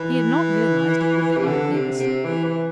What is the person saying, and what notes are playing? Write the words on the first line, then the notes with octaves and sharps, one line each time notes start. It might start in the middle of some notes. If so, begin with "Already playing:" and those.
He had not realized it would be like this.
Already playing: E3
C3
D3
C3
C3
E3
E3